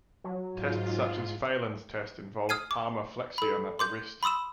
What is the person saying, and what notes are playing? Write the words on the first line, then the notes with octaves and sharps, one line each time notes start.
Tests such as Phalen's test involve palmarflexion at the wrist.
F#3
G#2 F4
D#6 F6 G#6 C7 D#7
D6
A4 B5
C6 D6 G6
B5 C6 D#6 E6 E7